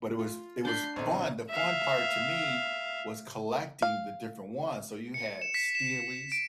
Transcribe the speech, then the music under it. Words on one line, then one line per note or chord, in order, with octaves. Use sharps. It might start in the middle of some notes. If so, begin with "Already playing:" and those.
But it was it was fun the fun part to me was collecting the different ones, so you had steelies,
F4
D4 B5 G6 C7
A#1 B2 D3 C4 D#4
E5 F5
F5
C#7
E7
B6
E7
D7